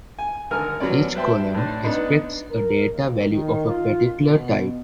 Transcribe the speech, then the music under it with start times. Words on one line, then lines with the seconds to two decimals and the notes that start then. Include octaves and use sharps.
Each column expects a data value of a particular type.
0.19 G#5
0.51 G#1 D3 A#4 G#5 F6
0.80 F#3 B3 C#4 D5
1.15 B4 C5 E5 G5 A5 C6
1.54 A2 D4
1.84 B3 D4 D#4
2.51 A#4
2.93 D#2
3.30 D#3
3.67 F4
4.26 B2